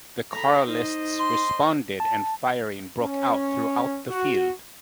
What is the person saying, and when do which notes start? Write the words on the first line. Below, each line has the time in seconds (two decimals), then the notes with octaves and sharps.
The Carlists responded and firing broke out throughout the field.
0.33 A4 A#5 B5
0.65 D#4 C5 D#5
1.20 C6
2.00 A5
2.99 C#4
4.08 F#4